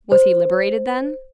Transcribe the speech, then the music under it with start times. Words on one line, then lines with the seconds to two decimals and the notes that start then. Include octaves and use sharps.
"Was he liberated, then?"
0.12 C5